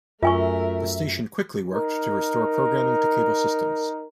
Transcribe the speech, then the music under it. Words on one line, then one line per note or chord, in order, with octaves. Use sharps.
The station quickly worked to restore programming to cable systems.
F#2 A3 F4 A#4 E5 G#5 C#6
D#4 A#4